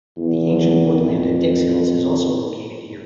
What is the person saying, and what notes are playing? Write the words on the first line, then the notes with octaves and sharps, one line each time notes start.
The ancient woodland at Dickshills is also located here.
E2
F2
F2